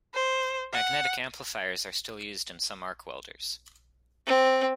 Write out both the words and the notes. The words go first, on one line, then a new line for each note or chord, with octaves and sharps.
Magnetic amplifiers are still used in some arc welders.
C5
F#5
C4